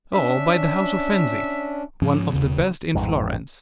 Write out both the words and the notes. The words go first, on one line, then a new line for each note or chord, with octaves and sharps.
"Oh, by the house of Fenzi, one of the best in Florence."
C#4 D4 E5
G#2 F3 C#4
D#2 C#3
A1 F2 G#2